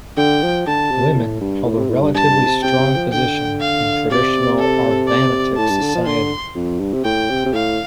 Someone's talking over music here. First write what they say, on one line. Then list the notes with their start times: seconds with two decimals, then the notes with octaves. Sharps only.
Women held a relatively strong position in traditional Arvanitic society.
0.17 D3 G5
0.43 F3
0.67 D3 A5
0.91 C3
1.16 A2
1.41 G2
1.65 A2
1.78 C3
1.90 A2
2.01 G2
2.14 G2 A5
2.30 G2
2.47 C3
2.63 C3 G5
2.79 C3
2.96 F3
3.13 D3 G5
3.61 F5
4.11 C3 D5
4.59 A4
5.08 D5
5.57 A2 A5
5.69 G2
5.82 D3
5.95 F3
6.06 D3 C6
6.55 F2
6.80 G2
6.93 C3
7.04 A2 G5
7.30 C3
7.46 C3
7.54 A2 F5